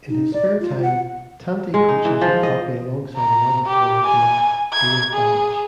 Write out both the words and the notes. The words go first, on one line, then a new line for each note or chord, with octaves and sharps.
In his spare time, Tanti coaches youth hockey alongside another former Canuck Dave Babych.
D#4
D5
F4
F#5
G#3
D#4
E3
F3
D#5
A#5
G4
G#5
G#6
G#4